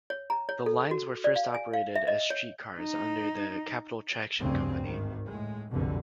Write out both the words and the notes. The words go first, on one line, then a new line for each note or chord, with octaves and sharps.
The lines were at first operated as streetcars under the Capital Traction Company.
C#5
A#5
C#5
A4
F#4
D5
F5
G#5
F5
E5
D#5
C#5
D#4
F1 D2 G2 C#3 C4
G#1 D#3
A2 G#3
F#1 C2 F2 B2 D3